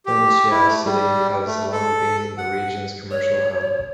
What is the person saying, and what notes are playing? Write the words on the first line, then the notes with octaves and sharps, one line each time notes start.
Linxia City has long been the region's commercial hub.
G4
E4
A3
G3
A3
A4
F#5
C#5